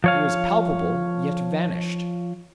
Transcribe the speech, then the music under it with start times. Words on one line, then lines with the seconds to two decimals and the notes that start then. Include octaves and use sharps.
He was palpable, yet vanished.
0.04 F3 C#5 F5